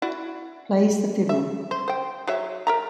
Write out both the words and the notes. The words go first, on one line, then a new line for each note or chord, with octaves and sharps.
Plays the fiddle.
E4 F#4 D5
E5
C5
C5 G5
F#3 C#5 E5
A#4 E5 A#5